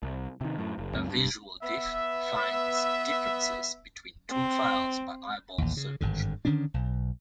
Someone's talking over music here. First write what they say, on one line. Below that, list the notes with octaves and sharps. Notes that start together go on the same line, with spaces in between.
A visual diff finds differences between two files by eyeball search.
C2
C3 D#3
F#2 A2
F#1
C#2 F#2 C4
G2
B3 E5
C4
A1 D#2
C#3
G#1 G2 D3
D3 D#3 C#4 D4
B1